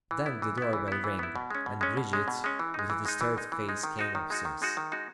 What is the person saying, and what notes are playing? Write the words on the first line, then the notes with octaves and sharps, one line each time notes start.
Then the door bell rang, and Bridget, with a disturbed face, came up stairs.
E3
B3 E4
E3
B3 E4
E3
B3 E4
E3
B3 E4
B2
G#3 C#4
B2
G#3 C#4
B2
G#3 C#4
B2
G#3 C#4
E3
G#3 D#4
E3
G#3 D#4
E3
G#3 D#4
E3
G#3 D#4
D#3
G#3 D#4 F#4
D#3
G#3 D#4 F#4
D#3
G#3 D#4 F#4
D#3
G#3 D#4 F#4